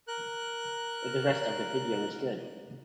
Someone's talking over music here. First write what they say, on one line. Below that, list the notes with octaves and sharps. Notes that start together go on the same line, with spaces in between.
The rest of the video is good.
A#4 F#6